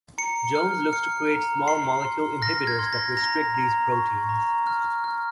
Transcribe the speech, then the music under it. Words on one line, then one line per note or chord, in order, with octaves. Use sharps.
Jones looks to create small molecule inhibitors that restrict these proteins.
A#5 C#7
F6
F6 C#7
A#5
C6 C7
C6
F6 A#6
G#6
C6
A#6
A#5 A#6
A#5
C#6
A#5
F6
F6